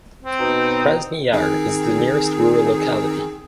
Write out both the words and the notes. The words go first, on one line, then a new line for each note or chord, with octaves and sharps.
Krasny Yar is the nearest rural locality.
C4
B2 D#4
D#3 C4 D#4 G#4